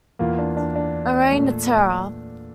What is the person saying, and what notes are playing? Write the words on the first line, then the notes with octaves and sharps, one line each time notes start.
A Reign of Terror.
E2 E3 A#3 F4
D4
D4
D4
A#2 A3